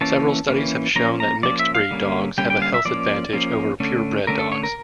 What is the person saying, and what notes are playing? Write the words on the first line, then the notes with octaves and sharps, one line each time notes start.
Several studies have shown that mixed-breed dogs have a health advantage over pure-bred dogs.
E3 A#3 C#4 A5
E3 A#3 C#4
F3 A#3 C#4 A#5
A#5
F3 A#3 C#4 D5
E5
F5
D3 G3 A#3 C#4
D3 G3 A#3 C#4 G5
G5
F5
E5
F3 A#3 C#4 D5
F3 A#3 C#4
D3 A3 C#4
D3 A3 C#4 A#4
A4
C#5
A#4